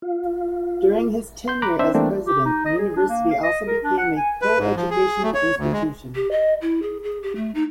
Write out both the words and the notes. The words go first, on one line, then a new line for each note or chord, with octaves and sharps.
During his tenure as president, the university also became a coeducational institution.
F4
C6 G6
A#5 B5 D6 F#6
C4 D4 C5 E5
E3 G3 A3 A#3 C4 D4
G4
D#4
D#5
G#4
D4
A#3
F5
D#5
A#4
D4
F#5
G#5
B4
G#2
F3
G#4
A3
C#5
D2
G#3
G4
D#5
E4
G#4
G#4
G4
A3
D#4